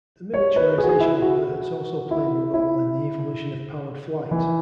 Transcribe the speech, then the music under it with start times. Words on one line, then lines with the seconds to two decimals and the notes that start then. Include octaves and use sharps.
The miniaturization of birds also played a role in the evolution of powered flight.
0.34 C#5
0.56 B4
0.78 G#4
0.84 F#4
0.89 G#4
1.00 E4
1.22 F#4
2.11 E4
2.54 E4
4.31 E3